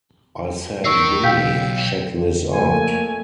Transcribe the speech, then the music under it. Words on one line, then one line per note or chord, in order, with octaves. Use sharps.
I said, Billie, check this out.
D#4 A#4 C#6 E6 C7
B1 F5 G5 E6 G6 B6
F2 A3 A#3 G#5